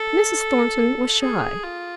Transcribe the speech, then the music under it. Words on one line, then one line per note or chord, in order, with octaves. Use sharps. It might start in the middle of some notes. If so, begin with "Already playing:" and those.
Mrs. Thornton was shy.
Already playing: A4
G#4
F4